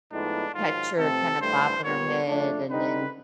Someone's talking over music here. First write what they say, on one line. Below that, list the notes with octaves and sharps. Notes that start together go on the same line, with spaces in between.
catch her kinda bopping her head and then
A2 F3 G#3 B3 D4 D#4
G#2 D#3 F#3 F4
C3 F3 A3 C4 A4
G2 E3 A3 C5
A#2 G3 B3 C#5
F3 A3 D4
D3 G3 C4 D#4 B4